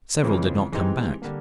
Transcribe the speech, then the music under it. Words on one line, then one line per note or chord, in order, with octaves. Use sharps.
Several did not come back....
F2 C#3 E3 G#3 C4
E3 G#3 C4 D#4 G4
D3 G3 A#3